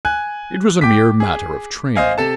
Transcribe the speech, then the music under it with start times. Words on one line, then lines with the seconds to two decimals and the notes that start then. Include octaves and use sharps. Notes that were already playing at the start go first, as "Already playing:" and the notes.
It was a mere matter of training.
0.05 G#5 F#6
0.81 G5 D6 B6
1.20 G#4
1.96 C5 D#5 F5 G#5
2.18 C3 A4 A5